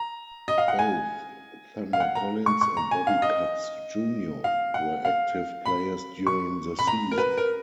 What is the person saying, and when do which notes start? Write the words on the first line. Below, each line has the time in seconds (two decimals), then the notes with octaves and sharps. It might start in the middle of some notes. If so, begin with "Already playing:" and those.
Both Thunder Collins and Bobby Cutts Junior were active players during the season.
Already playing: A#5
0.48 D#5
0.58 F5
0.68 F#5
0.79 G#5
1.93 F5
2.00 F#5
2.15 A#5
2.46 C#6
2.61 C#6
2.77 A#5
2.91 G#5
3.07 F5
3.22 D#5
4.44 F5
4.74 F#5
5.05 F5
5.66 B5
6.27 C#6
6.79 B5
6.87 A#5
7.11 A#4
7.18 B4
7.37 A#4